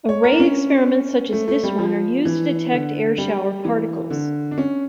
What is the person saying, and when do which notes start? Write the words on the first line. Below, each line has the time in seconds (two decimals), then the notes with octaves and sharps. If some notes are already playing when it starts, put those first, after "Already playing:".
Array experiments such as this one are used to detect air shower particles.
0.09 C#5
0.24 A#4
0.32 D4
0.40 C#4
1.33 A3
1.48 A3
1.64 G3
1.79 F3
2.25 E3
2.72 D3
3.18 G3
3.65 E3
4.10 D3
4.51 D4
4.58 C#4